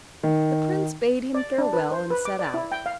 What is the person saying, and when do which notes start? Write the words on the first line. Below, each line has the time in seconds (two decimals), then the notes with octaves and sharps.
The prince bade him farewell and set out.
0.23 D#3
1.35 D5
1.58 D4
1.73 B4
1.91 C5
2.10 B4
2.25 D6
2.39 D5
2.54 E4
2.72 G5
2.86 F5